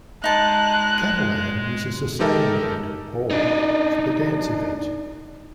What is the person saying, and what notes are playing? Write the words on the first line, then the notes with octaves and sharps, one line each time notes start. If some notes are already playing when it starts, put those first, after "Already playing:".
Catalan uses the same word, "ball", for the dance event.
G#3 D#4 A5 F#6
G#3 D#4 G4 A4 A#4
D4 D#4